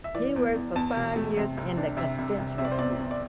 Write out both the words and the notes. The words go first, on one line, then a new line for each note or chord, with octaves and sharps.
He worked for five years in the constituency.
E5
E3 D5
E2
E2
E2 A5
E1
A3
C3
C2
D4
C3 E5
C2
C2
C3 E5
D5
C5
E2 D5
E2
D5